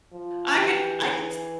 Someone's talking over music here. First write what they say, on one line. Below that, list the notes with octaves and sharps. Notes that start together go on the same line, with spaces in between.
I could I could s
F3
E3 G4
G#4